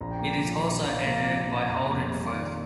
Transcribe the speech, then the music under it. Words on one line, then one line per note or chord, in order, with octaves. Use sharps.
It is also edited by Holden Frith.
A#1 A#5
G5
A#3 A#5
F3
A#2
A#1 F5
A#3
F5
F3
A#5
A#2
F2 A#5
A#3
C6
G3
C6
D#3